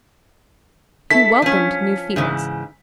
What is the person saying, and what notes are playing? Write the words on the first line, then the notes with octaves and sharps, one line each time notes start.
He welcomed new fields.
E4 A4 B6
F3 C#4
G#2 C#3 E3